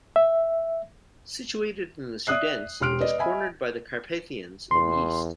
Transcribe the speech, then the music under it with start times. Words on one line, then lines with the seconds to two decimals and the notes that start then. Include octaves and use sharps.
Situated in the Sudetes, it is cornered by the Carpathians in the east.
0.16 E5
2.27 D5 E5 D#6 F#6 C7
2.80 E1 G4 C6 F6 D7
3.01 B4 D5 D#5
3.18 D#5 E5 G#5 B5
4.71 E2 C6